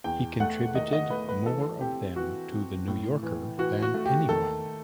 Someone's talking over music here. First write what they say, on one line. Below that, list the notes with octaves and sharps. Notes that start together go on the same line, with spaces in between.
He contributed more of them to The New Yorker than anyone.
E2 G5
A3 F#5
D#3 D#5
D#5
A3 B4
B4
E3 A4
C4 G4
E3 F#4
C4
A2
E3
E3 F#4
F#4
A3
G4
D#3 A4